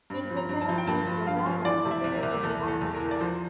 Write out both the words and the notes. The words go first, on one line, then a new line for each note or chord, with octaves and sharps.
In his seventies, Gazzara continued to be active.
G2
F3
A#5
G2
A5
F3
G5
G2 A5
F3
G2 F5
F3
E3 D5
C3
E5
C2
A#4
C2
E2 A4
E3
A4
E2
A#4
E3
D5
F3 C5